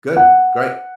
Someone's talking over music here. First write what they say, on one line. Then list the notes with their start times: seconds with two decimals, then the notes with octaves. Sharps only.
Good. Great.
0.17 F#5